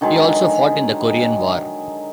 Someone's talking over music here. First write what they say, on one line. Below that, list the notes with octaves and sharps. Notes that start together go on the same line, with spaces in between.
He also fought in the Korean War.
D3 D#3 F#3 G#3